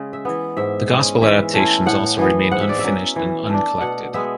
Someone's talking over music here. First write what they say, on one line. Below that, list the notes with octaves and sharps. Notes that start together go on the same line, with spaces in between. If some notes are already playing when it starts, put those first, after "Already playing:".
The Gospel adaptations also remain unfinished and uncollected.
Already playing: C#3 G#3 C#4
E5
E3 B3
G#2 E5
G#3 C#4
E3 E5
A3 C#4 E4
A2 F#5
E3 B3
G#2 F#5
E5
D5
E5
F#3 C#4
E3
A3 D4
B2 F#5
G#3 B3 E5